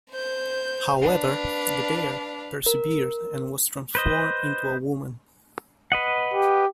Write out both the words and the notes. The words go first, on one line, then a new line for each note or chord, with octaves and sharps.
However, the bear persevered and was transformed into a woman.
C5 G6
D4 B4 F5
A#4
B4 C5 D#5
B4 D#5 F#5
G4